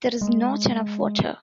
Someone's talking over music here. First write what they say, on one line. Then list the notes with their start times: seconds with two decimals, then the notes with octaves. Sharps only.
There's Not Enough Water!
0.21 G#3